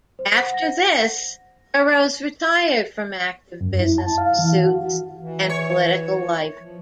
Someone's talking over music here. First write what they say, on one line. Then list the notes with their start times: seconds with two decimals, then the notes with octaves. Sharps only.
After this, Burrows retired from active business pursuits and political life.
0.19 C5
0.37 F#5
0.54 A#6
3.61 F#2
3.80 E4
3.98 A5
4.18 F5
4.39 E3
4.55 F#4
5.21 E3
5.49 C#5
6.59 F3